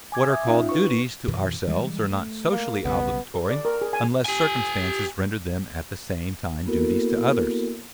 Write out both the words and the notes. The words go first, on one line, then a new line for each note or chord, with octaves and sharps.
What are called duties to ourselves are not socially obligatory, unless circumstances render them at the same time duties to others.
G#5 D6 G#6
E5 D#6
C#4 D#4 F4
B4 C#6
F#2 B2 E3
E3 G3 G#3
A3
A#3
B1 C#3 G3 B3
A4
D5
A#4
G#4
G#5
G4 G#5
A#3 B3 E4 F#4 A4 A#4